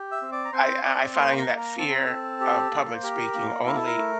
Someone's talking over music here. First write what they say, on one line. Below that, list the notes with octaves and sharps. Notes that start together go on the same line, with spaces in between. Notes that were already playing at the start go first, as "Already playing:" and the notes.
I I I find that fear of public speaking only
Already playing: G4
E5 E6
C4
D5 D6
A#5
C4 C5 C6
C4 D5 D6
A#3 C5 C6
A#4 A#5
A#3
A#4 A#5
C4 A5
A#5
C4 A4 A5
G4
A#3
C5
G4 A#4
A#3
E4 A#4
A4
A#4
A3